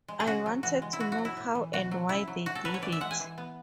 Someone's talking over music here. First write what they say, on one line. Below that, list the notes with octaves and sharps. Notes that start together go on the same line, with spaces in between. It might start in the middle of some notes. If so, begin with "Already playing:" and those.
I wanted to know how and why they did it.
G#3
G#4
C#3 F#4
F#3
E3 F#4
G#3
E4
B2 F#4
F#4
F#3
E4
A2
E3
B2 F#4
F#3
C#3 E4
F#3
A2 F#4
A4
F#3 B4
C#5
E3 D5
E5
G#3 F#5
G#5
E3
B3